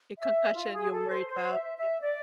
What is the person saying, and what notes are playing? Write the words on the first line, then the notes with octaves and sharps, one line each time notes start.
A concussion you're worried about, yep.
E5
F4
G#4
A4
C5
C5
E5
E5
D5